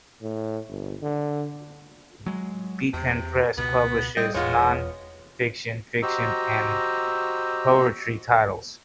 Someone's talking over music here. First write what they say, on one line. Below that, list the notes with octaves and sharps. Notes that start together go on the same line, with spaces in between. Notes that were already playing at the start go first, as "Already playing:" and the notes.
Beacon Press publishes non-fiction, fiction, and poetry titles.
A2
G1
D3
F#3 G#3
E2 C3
C#2 B2 B3
G3 C4 D#5
E1 E2 G#3 B3 F4 C#5
F#4 G4 C5 D#5 A#5 E6